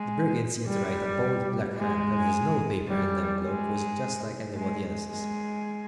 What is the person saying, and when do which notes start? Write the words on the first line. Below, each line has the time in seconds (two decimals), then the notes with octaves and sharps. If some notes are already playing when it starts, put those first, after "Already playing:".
The Brigand seemed to write a bold, black hand, and his note-paper and envelope was just like anybody else's.
Already playing: G#3
0.67 G3
1.77 G#3
2.88 G3
3.43 G#3
4.54 G#3
5.10 G#3